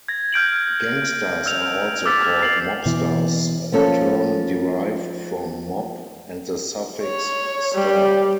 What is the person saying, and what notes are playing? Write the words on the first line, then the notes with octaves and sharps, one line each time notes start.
Gangsters are also called mobsters, a term derived from "mob" and the suffix "-ster".
G#6 A#6
F6 G6 D7 F#7
E6 F6 G6 F7
D6 E6 F6 G#6 A6 B6
A6 C7 F#7
B2 E3
F3 A#3 C#4 A4
C#5
G3